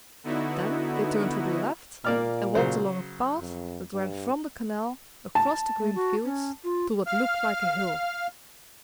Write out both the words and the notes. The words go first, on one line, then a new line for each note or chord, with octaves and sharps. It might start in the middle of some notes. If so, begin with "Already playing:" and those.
Then they turned to the left and walked along a path that ran from the canal across the green fields to what looked like a hill.
D3 B3 D#4 E4 F#4
A#2 A#3 D5 F6
C#3 F#3 C5
F2
G2
A5
A3
F#4
C#4
F4
F5 F6